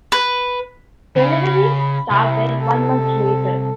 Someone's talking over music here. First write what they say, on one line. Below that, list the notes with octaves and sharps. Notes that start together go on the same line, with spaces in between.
Deliveries started one month later.
B4
C#3 B5
C2 E4
A4